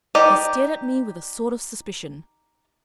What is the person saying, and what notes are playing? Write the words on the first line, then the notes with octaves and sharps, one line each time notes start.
He stared at me with a sort of suspicion.
D#4 G4 D5 D#5